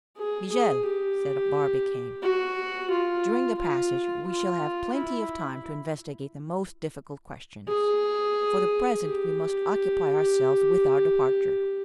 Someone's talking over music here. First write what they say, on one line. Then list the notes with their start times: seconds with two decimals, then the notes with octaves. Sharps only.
"Michel," said Barbicane, "during the passage we shall have plenty of time to investigate the most difficult questions. For the present we must occupy ourselves with our departure."
0.18 G#4
0.52 G#4
0.86 G4
2.23 F#4
2.90 F4
3.59 F4
4.28 F4
4.95 E4
7.68 G#4
9.05 G4